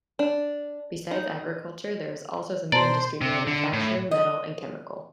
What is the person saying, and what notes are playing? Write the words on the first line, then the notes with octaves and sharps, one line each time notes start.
Besides agriculture there is also some industry manufacture, metal and chemical.
D4
D#4
B2 C5 D5 A5 A#5 C6
C3
D3
A2
D#5